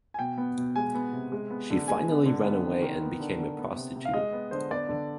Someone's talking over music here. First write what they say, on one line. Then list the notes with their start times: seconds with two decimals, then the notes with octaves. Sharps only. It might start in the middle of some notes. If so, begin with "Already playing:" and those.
She finally ran away and became a prostitute.
0.14 G#5
0.19 B2 G5
0.38 B3
0.58 B2
0.76 G#3 G#5
0.95 B3
1.13 C3
1.32 G#3
1.50 B3
1.70 D3
1.88 G#3 G#5
2.08 B3
2.26 D3
2.45 B3
2.63 D#3
2.82 D#3
3.02 B3
3.20 D3
3.38 D3
3.58 B3
3.76 C3
3.96 C3
4.05 F5
4.13 G#3 D#5
4.33 B3
4.51 D3 C5
4.71 B3 D5
4.89 D3